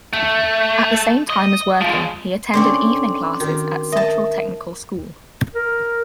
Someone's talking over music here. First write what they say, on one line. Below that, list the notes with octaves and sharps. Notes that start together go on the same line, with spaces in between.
At the same time as working, he attended evening classes at Central Technical School.
A3
D#5
F3 G#3
D3 C4 C#4 C6 D6
D#3 F#4
A#4 D#5 E5 A5
A#4